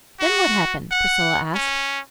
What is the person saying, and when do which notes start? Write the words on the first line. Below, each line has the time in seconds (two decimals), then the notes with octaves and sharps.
"Then what happened?" Priscilla asked.
0.20 F#4
0.91 F#5
1.54 C#4